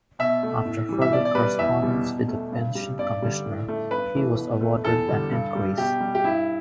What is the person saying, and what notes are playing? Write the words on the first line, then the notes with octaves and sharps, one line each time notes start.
After further correspondence with the "Pension Commissioner" he was awarded an increase.
B2 E5
A3
A2
E3 G3
E5
B2 D5
D5
G3 B4
E2 E5
B2 G3
B2
A3
G2
G3
G2 D5
D3 G3
A2
A3
G2 B4
E3 A3
B2
A3
E2 A4
D3 G3
G2
G3
B2 G4
G3
G4
G2 E4